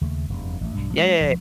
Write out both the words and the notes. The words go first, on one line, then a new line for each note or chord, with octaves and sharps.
Yeah, yeah, ye
D#2 C#3 A3
F1 E2 G2
A1 A3
B1 G2
F3 G#3 C#4
E1 D2 F3